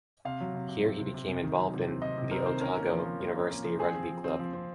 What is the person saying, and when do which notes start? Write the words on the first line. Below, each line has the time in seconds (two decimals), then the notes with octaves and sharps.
Here he became involved in the Otago University Rugby Club.
0.25 C3 F5
0.40 F#3
0.55 C3
0.69 C3
0.84 C4
0.99 C3
1.14 C3
1.28 C3
1.43 D#3
1.57 F#3
1.73 C3
1.88 C4
2.02 C3 D#5
2.18 C3
2.31 C4 A#4
2.46 D#3 C5
2.61 C#4 A#4
2.77 A#3
2.90 F3
3.05 F3
3.20 A#3
3.36 C#4
3.50 A#3
3.64 F3
3.79 C4 G#4
3.94 C4
4.09 F3
4.24 C4
4.39 F3
4.53 C4